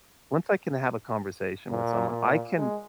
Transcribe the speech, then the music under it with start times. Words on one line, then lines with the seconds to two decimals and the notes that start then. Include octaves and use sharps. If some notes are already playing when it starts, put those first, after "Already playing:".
once I can have a conversation with someone, I can
1.71 A#2
2.10 A#2
2.58 G#3